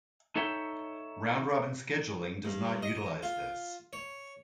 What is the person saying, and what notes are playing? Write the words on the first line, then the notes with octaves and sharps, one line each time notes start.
Round-robin scheduling does not utilize this.
D#4 A4 C#5 E5 G5
G2
D#5
F4
C#5